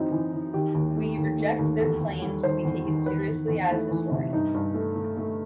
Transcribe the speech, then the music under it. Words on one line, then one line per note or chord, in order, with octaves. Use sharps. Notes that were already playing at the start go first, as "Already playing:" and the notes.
We reject their claims to be taken seriously as historians.
Already playing: F#2 E3 C4 D#4 E4
E3
E3
D#3 G4
D#2
A3
D#2
A3
D#2
E2 A4
E2
G3
D#3 C5
E2
D#3
E2 B4
E2
E2
A3 E4
E3
C3
G2 D#4
G2
A3
A3
A3